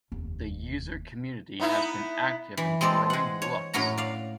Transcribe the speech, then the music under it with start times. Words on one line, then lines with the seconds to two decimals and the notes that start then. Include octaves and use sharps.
The user community has been active in growing "Lux".
0.12 F1 D#2
1.60 B3 D#4 E4
2.57 E3
2.81 G#3 C4 A4 D5
3.10 G#3 F#5
3.42 C#5
3.73 F#2 A2 F#3 F#4 A#5
3.97 D5 F5